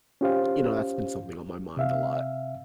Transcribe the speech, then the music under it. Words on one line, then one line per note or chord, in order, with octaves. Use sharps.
you know, that's been something on my mind a lot.
C#4 F4 G4 C5 F5
C3 E5 F5